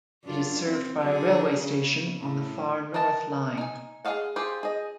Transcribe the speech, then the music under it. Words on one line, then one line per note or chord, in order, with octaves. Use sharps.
It is served by a railway station on the Far North Line.
F#2 D4 F4
C4
D3 F#3 G#4
C#3
A2
A#4 B4 D#5 A5
D#4 G#5
G#4 B4 D#5 F5 F#5
F4 G4 G#4 C5
G#4 D#5